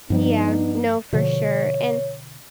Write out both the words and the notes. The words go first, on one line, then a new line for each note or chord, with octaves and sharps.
Yeah. No, for sure. And
G2 F3 G3 B3 D4 D#4
B2 D3 F3 C#5